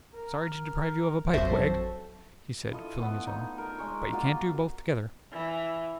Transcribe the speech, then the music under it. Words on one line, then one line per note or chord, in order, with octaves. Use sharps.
'Sorry to deprive you of a pipe, Wegg,' he said, filling his own, 'but you can't do both together.
A#4
A1 F2 F#3 C4 F#4 A4 C5 E5
E4 F4 A4 D#5
A3 B3
D#4
A#4
G#3 C#5
A#3 F4 F#4 D6
E3